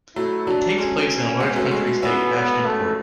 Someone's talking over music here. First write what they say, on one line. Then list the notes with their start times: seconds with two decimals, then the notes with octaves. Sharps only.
It takes place in a large country estate Ashton Court.
0.16 F#3 A3 E4
0.47 F#3 D4
0.78 G#3 C#4
1.40 G#3 B3
1.56 F#3 A3
1.71 G#3
1.87 F#3
2.02 B3 C#4 E4
2.34 B3
2.65 A3